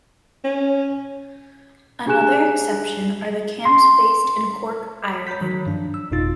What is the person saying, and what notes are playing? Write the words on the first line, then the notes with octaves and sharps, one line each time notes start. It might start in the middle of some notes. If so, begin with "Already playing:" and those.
Another exception are the camps based in Cork, Ireland.
C#4
D4 G4 G#4 G#5 F#6 E7
C6
C#5 A#5 B5 G6 B6
D#3 F#3
G2 F3 D4
E6
G1 F2 B2 D#4 F4 A6